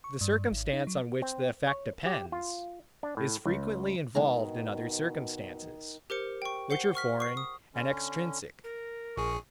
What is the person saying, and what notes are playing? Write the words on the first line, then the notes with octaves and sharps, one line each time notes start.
The circumstance, on which the effect depends, is frequently involved in other circumstances, which are foreign and extrinsic.
C#6
G2
G#1
D#4
F#3
C4
C#5
G4
F4
D4
A2
C#2
B2 D#3 G#3 G5 A#5
G4 A#4 C5 C#7
G5 C#6
C5 F#5 C7 G7
C#6 F6 B6
C#6 C7
D#6
D3 C#4
A#4
A#1 G#4 C#6